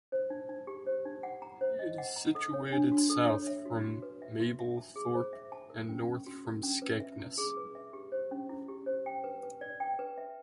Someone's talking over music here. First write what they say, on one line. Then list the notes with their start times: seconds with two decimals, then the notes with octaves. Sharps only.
It is situated south from Mablethorpe and north from Skegness.
0.12 C5
0.30 D#4
0.49 D#4
0.67 G4
0.86 C5
1.05 D#4
1.23 F#5
1.42 A#5
1.61 C5
1.79 D#5
1.98 F#5
2.16 A#5
2.35 A4
2.54 C#5
2.72 D4
2.92 F#4
3.10 A4
3.29 C#5
3.47 E5
3.66 F#4
3.84 F#4
4.02 B4
4.22 E5
4.40 F#4
4.59 E5
4.77 A5
4.96 G#4
5.14 C5
5.33 E5
5.52 A5
5.70 A#4
5.89 C#4
6.07 C#4
6.27 F#4
6.45 A#4
6.63 C#4
6.82 B4
7.00 E5
7.20 E4
7.38 G#4
7.57 B4
7.75 E5
7.93 G4
8.12 C5
8.31 C#4
8.49 E4
8.69 G4
8.86 C5
9.06 G5
9.24 B4
9.43 B4
9.61 D5
9.80 G5
9.99 B4
10.18 E5